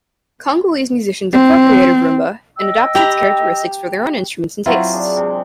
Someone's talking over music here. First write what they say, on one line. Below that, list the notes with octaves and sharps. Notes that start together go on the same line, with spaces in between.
Congolese musicians appropriated rumba and adapted its characteristics for their own instruments and tastes.
C4
D#5 G5 E6
G4 A#5 B5
F#3 C4 E4 F4
D4 G#4
C3 G#3